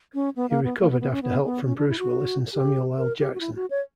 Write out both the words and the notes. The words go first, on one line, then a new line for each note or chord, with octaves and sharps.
He recovered after help from Bruce Willis and Samuel L. Jackson.
C#4
B3
A#3
B3
A#3
B3
B3
C#4
B3
B3
C#4
D4
E4
F#4
G4
A#4
G4
F#4
E4
F#4
C#5